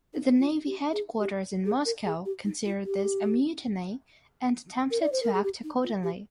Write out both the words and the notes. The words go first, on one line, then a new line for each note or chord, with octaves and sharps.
The Navy headquarters in Moscow considered this a mutiny and attempted to act accordingly.
D#4
F4
G4
G#4
G4
G#4
A#4
G#4
G4
D#4
F4
G4
A#4
D5
C5
A#4
G#4
G4
D#4
F4
G4